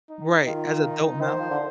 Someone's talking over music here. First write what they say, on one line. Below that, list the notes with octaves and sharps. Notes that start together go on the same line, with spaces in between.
Right, as a adult now
D#4
D#3 F4
D#4
D#3 C5
F3
D3